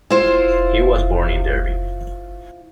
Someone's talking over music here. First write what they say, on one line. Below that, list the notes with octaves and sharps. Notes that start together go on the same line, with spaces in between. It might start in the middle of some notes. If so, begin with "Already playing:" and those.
He was born in Derby.
E4 F4 C5